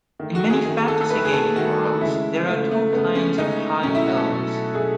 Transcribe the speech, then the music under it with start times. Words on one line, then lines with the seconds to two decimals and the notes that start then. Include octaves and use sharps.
In many fantasy gaming worlds, there are two kinds of high elves.
0.20 D#3 A3
0.35 F#4
0.50 G#4
0.65 D#3 A3 G#4
0.88 A4
1.01 A4
1.10 D#3 A3 B4
1.25 G#4
1.33 A4
1.56 D#3 A3 F#4
2.01 C#3 G#3 E4
2.47 C#3 G#3 A3
2.71 A3
2.92 C#3 G#3 B3
3.15 C#4
3.38 C#3 G#3 D#4
3.83 B2 F#3 A3 C#4
3.95 E4
4.06 F#4
4.17 A4
4.29 B2 F#3 A3
4.74 B2 F#3 A3 G#4